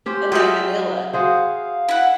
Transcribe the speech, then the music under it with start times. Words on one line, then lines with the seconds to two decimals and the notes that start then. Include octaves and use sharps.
and that vanilla.
0.06 C#4 G4 C5
0.32 F#3 F4 G#4 E5 G5
1.13 F#4 G#4 C5 F5
1.89 E4 F#5